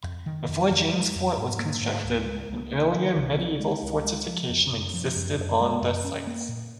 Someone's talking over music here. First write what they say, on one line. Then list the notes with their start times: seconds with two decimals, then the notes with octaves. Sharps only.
Before James fort was constructed, an earlier medieval fortification existed on the site.
0.03 F2
0.26 D#3
0.48 F2
0.71 F2
0.92 G#3
1.15 F2
1.37 G#2
1.59 A#3
1.82 G#2
2.03 C#2
2.26 G#3
2.48 C#2
2.70 A#3
2.94 D#3
3.16 C2
3.37 C4
3.60 G#3
3.82 C#2
4.04 G#3
4.27 F3
4.49 F2
4.71 F#2
4.94 F3
5.16 F#2
5.38 F#2
5.61 G#3
5.82 F#2
6.05 C#4
6.27 A#3
6.49 A#2